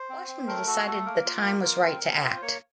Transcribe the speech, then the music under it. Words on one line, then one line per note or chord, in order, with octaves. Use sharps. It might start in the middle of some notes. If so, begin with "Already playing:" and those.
Washington decided the time was right to act.
Already playing: C5
C4
C4
A3 A#4
F#4 A4
A3 A4
A#3 A#4
F4
A#3
F4
C4
C4
F4 C5
A#3 C#5